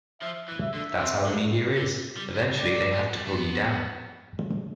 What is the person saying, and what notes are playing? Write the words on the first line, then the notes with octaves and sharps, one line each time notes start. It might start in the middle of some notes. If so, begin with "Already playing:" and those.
That's how the media is: eventually they have to pull you down.
F3 E5
E3
E5
D3
C3
D3
D3
G3
G3
G3 D5
A3
G3
G3
A3
B3